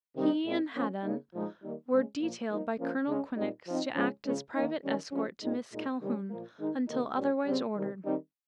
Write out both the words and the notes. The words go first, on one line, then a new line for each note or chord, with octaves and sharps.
He and Haddan were detailed by Colonel Quinnox to act as private escort to Miss Calhoun until otherwise ordered.
C3 D#3 G3 C4 D#4
A#2 G#3 C4 D#4
F3 A#3 C#4
C#3 G3 A#3 D#4
A#2 F3 G#3 D#4
D#3 G3 A#3 D#4
C#3 G#3 C#4
A#2 F3 A#3
F3 A#3 D#4
F3 A#3 C#4
C#3 G#3 C#4
A#2 G3 C4 D#4
F3 C4 D#4
C#3 F3 G#3 C#4
C#3 F3 G#3 C#4
D#3 A#3 D#4
D#3 G3 C#4
F3 G#3 C#4
A#2 G#3 C4 D#4
A#2 G#3 D#4
C3 D#3 G3 C#4
A#2 F3 A#3
D#3 G#3 D#4
C3 D#3 A#3 D#4
A#2 G3 C#4
C#3 G3 C4
C3 D#3 G3
D#3 G3 C4 D#4